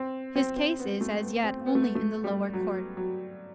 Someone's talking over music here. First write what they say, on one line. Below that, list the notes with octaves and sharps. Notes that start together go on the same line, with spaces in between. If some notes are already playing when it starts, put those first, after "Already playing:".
His case is, as yet, only in the lower court.
Already playing: C4
C4
C4
B3
A3
B3
C4
B3
A3
B3
A3
G3
F#3
F#3